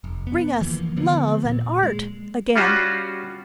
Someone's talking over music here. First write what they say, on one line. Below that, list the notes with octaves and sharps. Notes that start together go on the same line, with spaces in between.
Bring us love and art again!
F1
B3
E3 F3 A3 A#3
D3 F3 A#3 B3
A#2
G#3
G3 C#4 F4 F#4